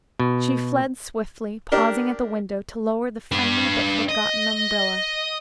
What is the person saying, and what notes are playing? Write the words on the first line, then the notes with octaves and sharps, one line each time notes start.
She fled swiftly, pausing at the window to lower the friendly but forgotten umbrella.
B2
D4 G4 A#4
D4 B4
D#5